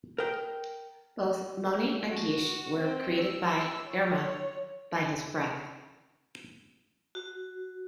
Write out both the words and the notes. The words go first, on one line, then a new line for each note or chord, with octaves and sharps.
Both Moni and Gish were created by Imra by his breath.
A#4 G5
F#4
C4
E6
C#5
F#4